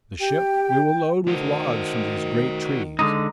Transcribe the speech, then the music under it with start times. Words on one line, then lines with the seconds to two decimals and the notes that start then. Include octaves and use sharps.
The ship we will load with logs from these great trees.
0.20 G4 G5
1.28 D#3 F#4 C5
2.99 D3 G#3 D#4